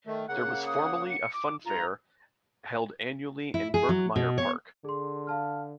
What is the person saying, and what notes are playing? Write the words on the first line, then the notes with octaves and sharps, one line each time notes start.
There was formerly a funfair held annually in Birkmyre Park.
D#3 A3
C#3 A#3 F#5 F#6
D#6
C#7
D6
G2 F4 A#5
E4
G#4
F#3
B2
C#5
D3 G#4 C6
F5 A5 F6